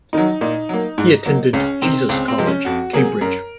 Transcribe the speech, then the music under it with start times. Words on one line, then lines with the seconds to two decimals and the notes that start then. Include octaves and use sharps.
He attended Jesus College, Cambridge.
0.13 D#3 F#3 D#4
0.41 A#2 D#4
0.69 F#3 A#3
0.98 G#2
1.26 F#3 A#3
1.53 C#2 C#4
1.82 C3 D#3 C4
2.09 C#2 C4
2.28 C4
2.38 C3 F3 G#3
2.47 C#4
2.65 F2 F#4
2.93 C3 F#3 A#3 G#4
3.21 F#2 A#4